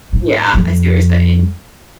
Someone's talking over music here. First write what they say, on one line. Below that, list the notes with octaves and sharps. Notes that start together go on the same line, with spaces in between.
Yeah, I see what you're saying.
G#2
F2